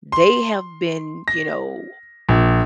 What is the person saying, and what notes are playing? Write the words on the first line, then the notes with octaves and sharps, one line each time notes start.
they have been, you know,
C6
A#6
A#1